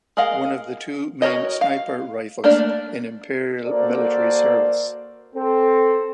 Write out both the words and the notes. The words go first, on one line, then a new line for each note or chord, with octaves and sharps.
One of the two main sniper rifles in imperial military service.
G#4 A#4 D#5 F5 F#5
F#4 A#4 C#5 D#5
F5
A3 A#3 D4 A#4 D5
A#3 F#4 A4 A#4 C5 D5
C4 A4